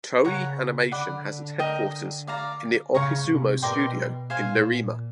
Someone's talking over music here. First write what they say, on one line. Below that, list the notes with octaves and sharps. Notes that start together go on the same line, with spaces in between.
Toei Animation has its headquarters in the Ohizumi Studio in Nerima.
C#3 A#4 C#5 F#5 A#5
D3 D5 F#5 B5
A#4 D#5 G5 A#5
D5 F5 A#5
C#3 C#5 F5 A#5 C#6
C3
B2 A#4 D5 G5 C6
A#2 C5 F5 G#5